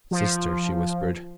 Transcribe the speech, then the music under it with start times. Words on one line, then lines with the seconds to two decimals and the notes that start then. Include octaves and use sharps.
"Sister!" she whispered.
0.11 F3